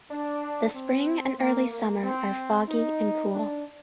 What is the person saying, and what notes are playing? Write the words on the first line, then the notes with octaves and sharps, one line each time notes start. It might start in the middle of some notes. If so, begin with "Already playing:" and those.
The spring and early summer are foggy and cool.
D4
C4
A#3
A#3
C4
D#4
D4